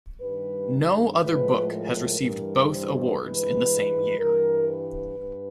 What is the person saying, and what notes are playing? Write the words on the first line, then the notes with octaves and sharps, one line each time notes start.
No other book has received both awards in the same year.
G2 D#3 G3 B4
A2 F3 G#3 B4
A#4
G2 E3 G3
C5
G2 E3 G#3 B4
G2 E3 G3 A#4
B4
G2